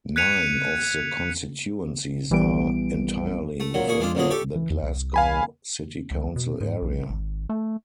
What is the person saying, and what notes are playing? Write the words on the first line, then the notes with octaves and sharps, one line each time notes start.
Nine of the constituencies are entirely within the Glasgow City council area.
F#6 G#6 B6 C#7 D#7 F7
A#1 E3 G3 B3 D7
A3
A#2 F#3
A#2 G#4 C#6
G#3 D4 F4
D2 A#2 F#3 G#4
G4 A4 E5 C#6
E3
E2
C2
F5 G#5 B5
C#2
B2
G#2
B1
G#1
A3